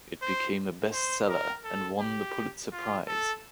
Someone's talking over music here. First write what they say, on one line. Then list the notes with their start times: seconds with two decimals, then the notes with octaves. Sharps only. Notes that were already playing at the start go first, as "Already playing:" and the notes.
It became a best-seller and won the Pulitzer Prize.
0.22 C5
0.93 C5
1.29 A#4
1.64 A4
2.00 G4
2.72 F4
3.08 A4